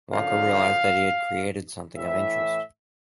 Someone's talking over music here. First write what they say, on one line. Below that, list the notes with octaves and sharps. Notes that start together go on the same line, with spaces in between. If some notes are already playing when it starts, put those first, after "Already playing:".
Walker realized he had created something of interest.
F#2 D3 F3 F5
A2 E3 E5